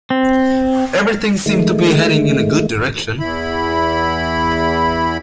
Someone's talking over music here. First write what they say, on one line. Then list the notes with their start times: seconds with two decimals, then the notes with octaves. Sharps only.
Everything seemed to be heading in a good direction.
0.10 C4
1.46 D#3 G#3 A3
3.20 E2 E4 B5